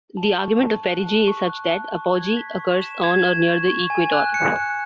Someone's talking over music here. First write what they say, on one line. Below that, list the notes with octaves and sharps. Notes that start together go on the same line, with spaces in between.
The argument of perigee is such that apogee occurs on or near the equator.
A5
C#6
A5
F#6
A5
C#6
F#6
A5
C#6
G#6
B6
C#6
E7
G#6
E7
C#6
C#6
G#5
F#6
C#7
F#6